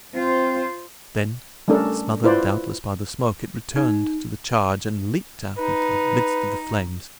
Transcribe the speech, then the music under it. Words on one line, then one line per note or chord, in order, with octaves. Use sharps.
Then, smothered doubtless by the smoke, it returned to the charge and leaped out into the midst of the flames.
C4 F4 C5
G3 A3 C#4 D4 A4 A#4
E4 F4 B4 C5 D5
D#4
D#4 B4